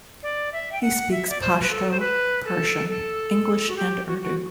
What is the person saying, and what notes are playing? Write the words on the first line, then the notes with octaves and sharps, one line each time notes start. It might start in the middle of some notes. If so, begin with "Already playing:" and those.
He speaks Pashto, Persian, English and Urdu.
D5
E5
G5
F#5
E5
D5
C5
B4
A4
C5
B4
A4
A4
F#4
G4
F#4
F#4